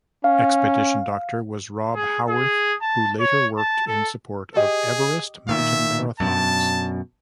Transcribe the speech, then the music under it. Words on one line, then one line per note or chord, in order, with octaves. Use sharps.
Expedition doctor was Rob Howarth who later worked in support of Everest Mountain Marathons.
C#4 F5
G#4
G#4
A5
C#5
A5
A4
G4 G#4 D#5
A#2 D#3 E5
F#2 B2 D4 A5